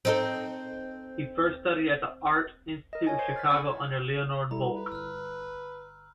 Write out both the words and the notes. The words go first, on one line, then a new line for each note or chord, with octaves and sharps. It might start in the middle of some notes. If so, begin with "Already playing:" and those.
He first studied at the Art Institute of Chicago under Leonard Volk.
C4 D#4 A4
A#4 D#5
C#5 G#5
C5 G#6 C7
F6 A6 B6
C#4 F#5 B5 C#6
G3 E4 A4 A#5
B4
G1 E6 F6